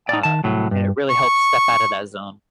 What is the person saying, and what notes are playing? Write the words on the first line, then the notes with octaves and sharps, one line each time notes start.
Uh, and it really helps step out of that zone.
D#4 D5
D#3 A5
C2 A2 F#3
G2
C#6